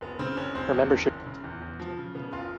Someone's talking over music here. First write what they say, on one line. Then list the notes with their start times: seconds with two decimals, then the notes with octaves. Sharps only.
Her membership continued until her death.
0.01 F#1 B3
0.19 C#3 C4
0.37 F#1 C#4
0.55 F#1 C4
0.73 E2
0.90 F#1
1.08 F#1
1.26 C#3
1.44 E2
1.62 E2
1.80 F3
1.97 C#3
2.15 C#3 B3
2.32 F#1 F4